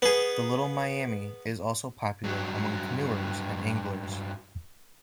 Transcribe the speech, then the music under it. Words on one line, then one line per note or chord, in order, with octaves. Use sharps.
The Little Miami is also popular among canoers and anglers.
B3 G#4
G2 F#3